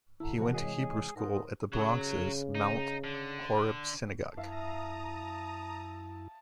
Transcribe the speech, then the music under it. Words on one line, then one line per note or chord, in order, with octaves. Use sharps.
He went to Hebrew School at the Bronx's Mount Horeb Synagogue.
D3 E4 A5 A#5
C3 E3 F3 F#4 A#4 F#5
G#3 G#4 C#5 D#5
G#2 A#4 C6 D#6
C#3 F#3
D#4
D3
F#2 E4 E5 F5 A5 A#5 D#6